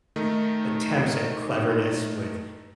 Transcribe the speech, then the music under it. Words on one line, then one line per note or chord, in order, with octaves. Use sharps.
attempts at cleverness would
D#3 A3 D#4